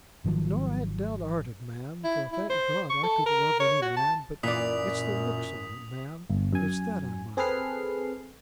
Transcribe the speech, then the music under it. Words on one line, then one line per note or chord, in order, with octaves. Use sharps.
'Nor I han't down'arted, ma'am, for thank God I could love any man, but it's the looks on it, ma'am; it's that I mind.'
G#1 D#3 F3 F#3
E4
E4
C5
C#6
A4
A#4
C#5
F#4
A5
F#2 A#2 E3 D5 D#6 B6 F7
G1
F#2 G#5
C4 G#4 A4 B4 F6 C7